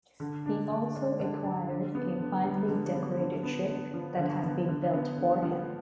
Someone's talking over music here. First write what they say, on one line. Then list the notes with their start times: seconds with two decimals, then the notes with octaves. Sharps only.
He also acquired a finely decorated ship that had been built for him.
0.20 D3
0.46 D4
0.70 D3
0.95 G#3
1.20 D3
1.44 D4
1.69 D3
1.95 B3
2.20 D3
2.45 G3
2.69 D3
2.94 B3
3.19 D3
3.43 B3
3.69 D3
3.94 F3
4.19 D3
4.43 B3
4.68 D3
4.93 B3
5.18 D3
5.42 F3